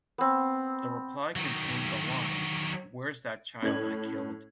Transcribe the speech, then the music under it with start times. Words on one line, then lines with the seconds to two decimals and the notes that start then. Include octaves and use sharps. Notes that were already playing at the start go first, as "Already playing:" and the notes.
The reply contained the line 'where's that child I killed?
0.18 B3 C4
1.36 D#3 F#3
3.62 A2 C#4 G#6 F#7